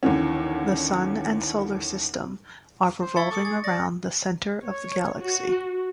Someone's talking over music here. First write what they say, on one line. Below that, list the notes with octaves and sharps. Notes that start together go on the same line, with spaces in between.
The Sun and Solar System are revolving around the center of the Galaxy.
D#2 D3 E3 C#4
C5
E4 C#6 A6 C#7
A4 D6 D#6 C#7
G#4 A6
D5 A#6
C#5
F#4